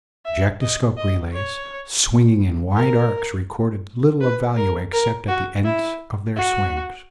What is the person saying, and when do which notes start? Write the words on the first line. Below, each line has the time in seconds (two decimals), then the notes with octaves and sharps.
The projectoscope relays, swinging in wide arcs, recorded little of value except at the ends of their swings.
0.25 E5
0.61 D#5
0.97 D#5
1.33 C#5
2.77 A#4
4.21 B4
4.57 A#4
4.93 A#4
5.28 F#4
5.65 E4
6.36 F#4